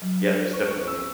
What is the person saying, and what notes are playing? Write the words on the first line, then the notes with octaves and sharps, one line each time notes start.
Yeah, there's definitely
F#3
F#4
C#5
B4 C#6
B4 C#6
C#4 E6